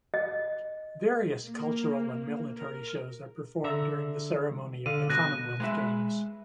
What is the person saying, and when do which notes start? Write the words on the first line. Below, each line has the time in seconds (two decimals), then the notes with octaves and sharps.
Various cultural and military shows are performed during the ceremony of the Commonwealth Games.
0.14 D#5
1.46 A#3
2.57 A#4
3.64 D3 E5 A#5
4.86 D3 F5 D#7
5.10 B2 F#6 A#6 D#7
5.60 G#3 B4 E5